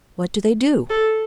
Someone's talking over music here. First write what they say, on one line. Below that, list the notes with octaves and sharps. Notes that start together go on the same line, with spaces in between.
"What do they do?"
A4